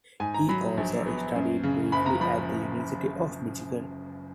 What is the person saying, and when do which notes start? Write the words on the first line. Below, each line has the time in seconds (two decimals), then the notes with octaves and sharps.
He also studied briefly at the University of Michigan.
0.20 G#2 G#5
0.34 A#5
0.49 F#3 B5
0.77 A#1
1.06 B3
1.35 F#2
1.63 C#3
1.92 F#1 B5
2.06 A#5
2.21 F3 B5